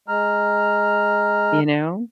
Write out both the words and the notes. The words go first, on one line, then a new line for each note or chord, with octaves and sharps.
You know?
G#3 A#5 F6